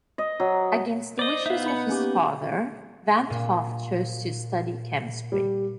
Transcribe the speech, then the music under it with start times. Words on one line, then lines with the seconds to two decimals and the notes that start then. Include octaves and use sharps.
Against the wishes of his father, Van 't Hoff chose to study chemistry.
0.18 D#5
0.40 F#3
1.19 C5 D5 D#5
1.46 B3 D#4 E5 F5
1.66 B5 C#7
1.87 A#3 C#4 G4
3.30 A#2
5.32 G3